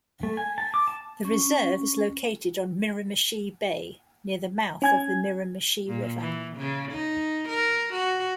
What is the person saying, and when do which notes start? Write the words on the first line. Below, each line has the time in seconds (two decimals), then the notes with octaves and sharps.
The reserve is located on Miramichi Bay, near the mouth of the Miramichi River.
0.23 A3
0.37 G#5
0.58 A5
0.74 D6
0.88 A5
1.25 C#4
4.82 C#4 G#5 G#6
5.88 A#2
6.19 E3
6.57 C#3
6.92 D#4
7.49 A#4
7.94 F#4